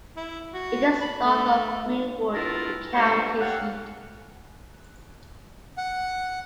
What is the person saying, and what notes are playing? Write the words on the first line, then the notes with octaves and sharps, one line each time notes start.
It is north of Greenwood, the county seat.
E4
F#4
B5
A3
B3 D4 E4 F4 A4 A#4
G2 A#2 A3 A#3 C5 C#6
G4 A4 C#5 F5 F#5
F#5